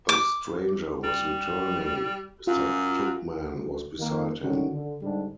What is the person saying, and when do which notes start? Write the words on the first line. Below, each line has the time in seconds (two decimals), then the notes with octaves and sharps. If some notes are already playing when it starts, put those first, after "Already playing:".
The stranger was returning, and Mr. Tupman was beside him.
0.09 D6
1.04 G3
2.47 F#2 F4
3.52 D2
3.99 D#3 A#3
4.41 G#1 D3 D#3 C#4 F#4
4.72 D3
5.02 G#2 D3 G3 D4